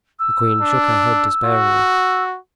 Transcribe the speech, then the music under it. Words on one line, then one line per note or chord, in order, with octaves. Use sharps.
The queen shook her head despairingly.
E6
D4
F#4